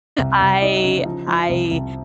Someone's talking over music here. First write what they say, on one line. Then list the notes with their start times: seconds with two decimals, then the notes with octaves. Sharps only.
I, I
0.18 C2
0.40 C2
0.62 D#4
0.84 C#3
1.05 F3
1.27 F3
1.49 C2
1.71 C2